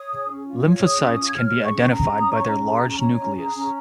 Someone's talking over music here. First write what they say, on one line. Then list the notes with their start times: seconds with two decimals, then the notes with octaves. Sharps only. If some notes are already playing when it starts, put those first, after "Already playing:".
Lymphocytes can be identified by their large nucleus.
Already playing: C#5 D#6
0.11 G#4
0.30 C#4
0.47 F4
0.65 C#5
0.83 G#4 D#6
1.01 C#4
1.20 F4
1.28 G#6
1.38 C#5 F6
1.56 G#4
1.65 C#6
1.73 C#4
1.82 C#6
1.92 G#4 A#5
2.10 C#4
2.19 D#6
2.28 C#5 C#6
2.47 C#4 A#5
2.64 G#4
2.83 C#4
3.00 C#5 A#5
3.18 C#4
3.37 G#4
3.55 C#4